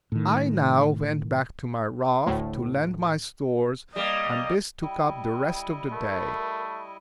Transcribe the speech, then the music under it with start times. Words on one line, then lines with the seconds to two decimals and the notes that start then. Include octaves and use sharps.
I now went back to my raft to land my stores, and this took up the rest of the day.
0.12 A2 D#3
2.26 D2 A2
3.96 G3 A#3 D#5
4.82 G3 E4 D#5 G5
5.92 A3 A#4